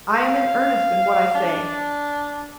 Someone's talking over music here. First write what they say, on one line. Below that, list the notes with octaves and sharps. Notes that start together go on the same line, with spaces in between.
I am in earnest in what I say.
F5
D4